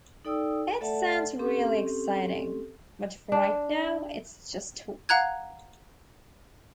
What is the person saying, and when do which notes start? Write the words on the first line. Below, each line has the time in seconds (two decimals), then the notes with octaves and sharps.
It sounds really exciting, but for right now it's just talk.
0.25 D#4 A4 D5 G5 D#6 E6
0.81 A3 A4 D5 E5 F#5 A5
1.39 C4 C#4 G4 A4
3.32 D4
5.09 F5 F#5 A#5 F#6 G#6